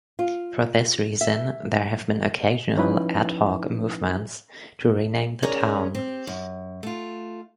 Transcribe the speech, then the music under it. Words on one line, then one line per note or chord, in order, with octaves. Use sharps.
For this reason, there have been occasional ad hoc movements to rename the town.
F4
E5
F3 C#4 D#4 E4 B4
C#4 G#4 A#4 C#5 D5
C4 G4
F#2
A3 F4